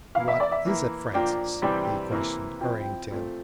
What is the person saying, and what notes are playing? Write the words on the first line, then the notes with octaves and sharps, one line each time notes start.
"What is it, Francis?" he questioned, hurrying to him.
E3 A#3 E4 F5
E5
D5
E5
E3 A#3 E4
A#2 F3 A#3 D4 G5
C3 E3 G3 D4 G5
C3 E3 A#3 E4
F3 C4 E4 G5
A#2 F3 A3 C4